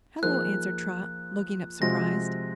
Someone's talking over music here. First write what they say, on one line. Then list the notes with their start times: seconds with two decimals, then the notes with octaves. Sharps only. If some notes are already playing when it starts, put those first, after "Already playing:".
"Hello," answered Trot, looking up surprised.
0.22 F3 A#3 D#4 G#4 C5 F#6
1.81 C3 F3 G#3 C4 F#4 A#6